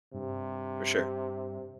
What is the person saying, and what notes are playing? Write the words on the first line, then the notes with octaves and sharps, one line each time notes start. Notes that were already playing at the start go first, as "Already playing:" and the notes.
for sure.
G2 C3